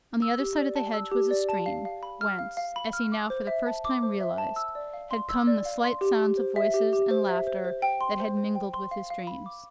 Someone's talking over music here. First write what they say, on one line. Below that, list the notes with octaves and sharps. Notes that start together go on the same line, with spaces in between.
On the other side of the hedge was a stream, whence, as he now for the first time realized, had come the slight sounds of voices and laughter that had mingled with his dreams.
E6
G4
D5
A5
E6
G4
D5
A5
F5
F5
B5
F6
F5
F5
B5
F6
D6
C5
E5
A5
D6
C5
E5
A5
E6
D5
F5
C6
E6
D5
F5
C6
G4
G4
C5
E5
G4
G4
C5
E5
C5
C5
G5
C6
C5
C5
G5
C6
F5
F5
B5
D6